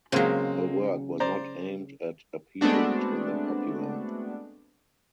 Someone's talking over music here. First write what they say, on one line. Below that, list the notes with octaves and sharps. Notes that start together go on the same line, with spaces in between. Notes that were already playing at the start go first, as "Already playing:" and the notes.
Her work was not aimed at appealing to the popular.
C#3 F#3 G#3 A#3 C4
C5 D5 A#5
G#3 A3 B3 C4 D4 F#4